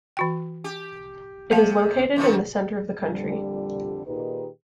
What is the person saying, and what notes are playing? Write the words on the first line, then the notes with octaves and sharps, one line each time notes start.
It is located in the center of the country.
E3 F#4 G5
G4
C3 A#3 F5 A5
F#2 D#3 F3
F2 A#2 D3 G3
A#2 D#3 D#4 G4 G#4 B4